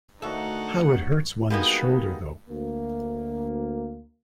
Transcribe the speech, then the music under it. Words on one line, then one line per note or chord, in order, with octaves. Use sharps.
How it hurts one’s shoulder, though.
D2 A#3 D#4 F#4 A4 D#5 E5 F#5
G3 G#3 A#3 B3 D#4 F#4
D2 A#3